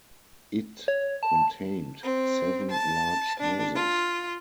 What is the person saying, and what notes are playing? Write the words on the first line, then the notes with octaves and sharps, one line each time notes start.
It contained seven large houses.
C#5
A5
C4
A5
D4
F4